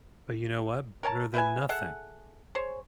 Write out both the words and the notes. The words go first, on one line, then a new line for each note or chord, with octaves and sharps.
But you know what? Better than nothing.
A#4 C#5 G#5 A5
E4 B4 E5 G#5
G#4 A4 E5 F#5
G#4 C5 C#5